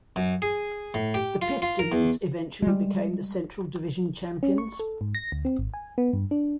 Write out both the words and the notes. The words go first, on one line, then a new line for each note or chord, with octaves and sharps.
The Pistons eventually became the Central Division champions.
F#2
G#4
A2
G4
F4
F4
A#4
E2
G3 G#3
C#4
C#6
A4
G#2
A#6
D2
C4
G#1
G#5
B3
G2
D4